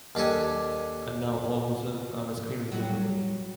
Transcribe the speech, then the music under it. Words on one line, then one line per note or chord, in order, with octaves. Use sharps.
And now all of a sudden I'm a screaming liberal.
D#2 D4 G4 A4 G#5
F#3 G3